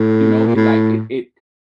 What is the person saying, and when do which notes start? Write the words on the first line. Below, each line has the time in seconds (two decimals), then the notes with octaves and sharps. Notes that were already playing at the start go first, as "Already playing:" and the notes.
You know, it like it it
Already playing: A2
0.47 A#2
0.56 A2